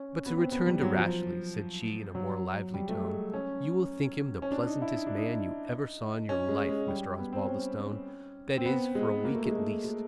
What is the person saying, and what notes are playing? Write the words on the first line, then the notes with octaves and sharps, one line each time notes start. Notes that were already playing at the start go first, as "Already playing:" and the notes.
But to return to Rashleigh," said she, in a more lively tone, "you will think him the pleasantest man you ever saw in your life, Mr. Osbaldistone,--that is, for a week at least.
Already playing: C#4
B3
C4
B3
G3
F#3
F3
F#3
G3
A3
G#3
C#4
C#4
D4
D#4
E4
D#4
D4
D#4
C#4
G#3
G#3
G3
B3
C4
C#4
C4
B3
G#3
A#3
A3
G#3
A3
G#3